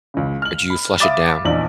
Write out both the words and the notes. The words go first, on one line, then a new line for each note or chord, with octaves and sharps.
or do you flush it down?
C#2 C#3
F6 F#7
B5
E5 F5 B5 D6 D#6 A6
A#1 E2 A#2 D#4 D5 F#7